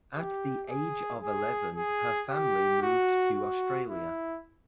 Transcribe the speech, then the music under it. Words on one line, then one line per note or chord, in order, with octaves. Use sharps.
At the age of eleven her family moved to Australia.
G4
G#4
G#4
G#4
G4
F#4
F#4
E4